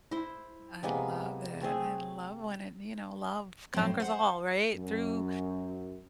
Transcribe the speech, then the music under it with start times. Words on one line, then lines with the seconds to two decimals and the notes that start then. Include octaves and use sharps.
I love it, I love when it you know, love conquers all, right? Through
0.11 E4 C5
0.83 C3 G#3 A#3 B3
1.61 A3 C4 G#4
3.74 A2 F#3 C4
4.00 C5 F#5
4.74 F#2